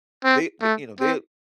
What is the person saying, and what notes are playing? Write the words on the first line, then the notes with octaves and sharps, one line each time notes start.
they th you know, they
C4
A3
C4